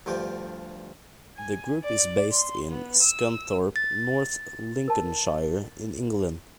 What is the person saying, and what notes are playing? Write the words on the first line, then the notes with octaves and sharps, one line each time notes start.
The group is based in Scunthorpe, North Lincolnshire in England.
D2 G2 F3 G4
G#5
D5
C6
B3
E6
A6
A#4 A5